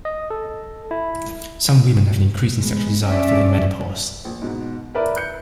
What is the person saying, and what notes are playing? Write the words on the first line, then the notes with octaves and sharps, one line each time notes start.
Some women have an increase in sexual desire following menopause.
D#5
A4
E4
G#3 B3
C#4 D4 D5 E5
A#1
G#2 B2
E4 A#4 B4 D5 E5
F#6 G6 C#7